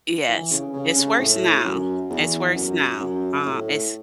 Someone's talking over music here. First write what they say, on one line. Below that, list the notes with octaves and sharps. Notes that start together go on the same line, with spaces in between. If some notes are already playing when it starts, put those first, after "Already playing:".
Yes. It's worse now. It's worse now. Uh, it's
E3
C#3
C#3
C#3
A2
F#2
E2
F#2
F#2
A2